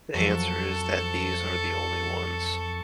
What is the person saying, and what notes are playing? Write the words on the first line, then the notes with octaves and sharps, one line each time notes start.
The answer is that these are the only ones.
F2 F3 F#3 A4 A5 C#6